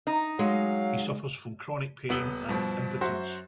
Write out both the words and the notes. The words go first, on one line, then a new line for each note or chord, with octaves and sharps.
He suffers from chronic pain and impotence.
D#4
F#3 G#3 F5
D#1 B3 E6 F#7 G7
G2 B2 F3
F#2 F#4 C5 E5